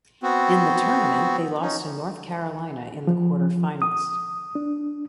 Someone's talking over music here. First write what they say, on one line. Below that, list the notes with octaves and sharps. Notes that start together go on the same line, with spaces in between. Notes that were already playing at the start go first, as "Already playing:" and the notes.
In the tournament they lost to North Carolina in the Quarterfinals.
B3 C4 F#4
C#4 D#4
F3
D#6
D4